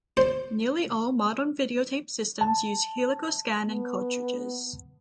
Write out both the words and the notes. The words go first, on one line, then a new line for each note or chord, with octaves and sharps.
Nearly all modern videotape systems use helical scan and cartridges.
C5
A5
B3